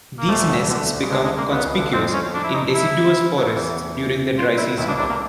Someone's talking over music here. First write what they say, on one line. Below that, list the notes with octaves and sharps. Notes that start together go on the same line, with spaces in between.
These nests become conspicuous in deciduous forests during the dry season.
A#3
F2 F3 A3
E2 E3
D#2 D#3
E2 E3
D2 D3
C#3
D2 D3 G#3
G#3
A#3
C#2 C#3 B3
C#2 C#3
D2 D3
F2 F3 C4
C#4
D4
E4
D#4
E4
F#3
F3
E2 E3
F4
E4
D#2 D#3 E4
C#2 C#3 D4
C2 C3 D4
A2 A#3